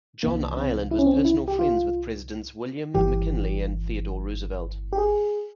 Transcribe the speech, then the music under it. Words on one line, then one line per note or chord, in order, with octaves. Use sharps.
John Ireland was personal friends with Presidents William McKinley and Theodore Roosevelt.
C2 C3 E3 A#3
C4
E4
C#4
C4
C#4
E4
G4
F4
G1 G2 E3 G4
G4
G#4